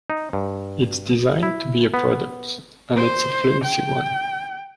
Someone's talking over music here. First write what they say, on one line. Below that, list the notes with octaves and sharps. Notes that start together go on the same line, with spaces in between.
It's designed to be a product, and it's a flimsy one.
D#4
G2
E4
B3
C5
G5